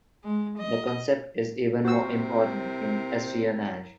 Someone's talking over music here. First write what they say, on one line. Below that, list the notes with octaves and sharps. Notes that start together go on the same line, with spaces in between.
The concept is even more important in espionage.
G#3
D#5
C3 E4 F#4 A#4 C5 E6